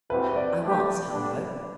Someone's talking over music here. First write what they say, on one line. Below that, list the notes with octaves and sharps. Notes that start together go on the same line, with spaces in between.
I was, however.
C3 E3 G3 C4 F#4 B4
D5
D3 A3 D4 G4
D3 G3 D4